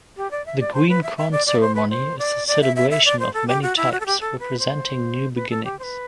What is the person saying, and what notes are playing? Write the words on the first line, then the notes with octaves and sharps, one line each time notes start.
The Green Corn Ceremony is a celebration of many types, representing new beginnings.
G4
D5
E5
D5
C5
B4
E5
E5
D5
D5
C5
B4
C5
D5
D5
E5
E5
E5
D5
C5
A4
G4
F#4
E4
F#4
A4
G4
A4
B4
C5
B4
A4
G4
C5
B4